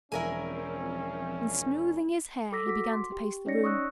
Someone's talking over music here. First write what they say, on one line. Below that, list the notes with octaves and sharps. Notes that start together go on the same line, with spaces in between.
And smoothing his hair he began to pace the room.
E1 F3 C4 C#4 E4 A#4 G#5
A4 D6 E6 A#6 B6
F#4 D6 B6
C6
G4
C#4 D#4 C#5 D5 A#6 C#7
C#6 D#6 E6 F#6